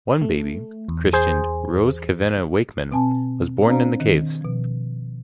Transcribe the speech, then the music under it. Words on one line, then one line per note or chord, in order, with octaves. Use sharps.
One baby, christened Rose Cavena Wakeman, was born in the caves.
A3
E2
G#4 C5
B2 C4 G#5 A5
C4 D4 C5 D5 F5 A#5
D#3
B2 F3